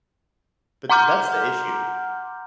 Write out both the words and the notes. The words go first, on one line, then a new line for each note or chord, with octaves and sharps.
But th that's the issue.
F#5 A#5 C6 D6 F6 G6